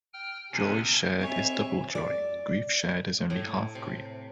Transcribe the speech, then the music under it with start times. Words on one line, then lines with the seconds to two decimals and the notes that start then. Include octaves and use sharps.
Joy shared is double joy; grief shared is only half grief.
0.14 G5 F6
0.52 C3 B3 C#4 D4 G#5
1.20 D#2 C4 C#5 E5 G#5
1.95 D5
3.30 A2
3.75 C3